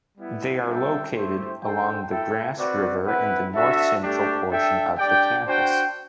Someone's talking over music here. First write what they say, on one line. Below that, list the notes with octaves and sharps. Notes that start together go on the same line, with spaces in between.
They are located along the Grasse River in the north-central portion of the campus.
G3 B3 E4
G3 D4 A4 E5 G5
A3 E4 G4 C5
D4 A4 C5 G5
E4 A4 E5 G5
C4 F#4 B4 D5
C4 E4 B4 F#5
D4 F#4 A4 E5
A3 D4 G4
D4 A4 E5 G5
D4 G4 D5 G5
D4 F#4 C5 G5